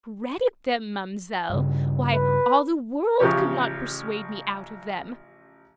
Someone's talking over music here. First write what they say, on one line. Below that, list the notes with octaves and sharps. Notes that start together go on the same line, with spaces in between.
'Credit them, ma'amselle! why all the world could not persuade me out of them.
G2 C#3
B4
A1 C#3 F3 G4 C#5